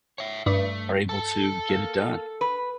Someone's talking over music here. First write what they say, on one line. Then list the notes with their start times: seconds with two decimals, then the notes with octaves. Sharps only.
are able to get it done.
0.18 C#5 E5
0.46 G2 A3
1.09 A4 A5
1.69 A#3
2.41 B4